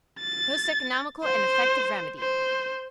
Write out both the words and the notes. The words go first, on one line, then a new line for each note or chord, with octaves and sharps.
Most economical and effective remedy.
A6
C5
C5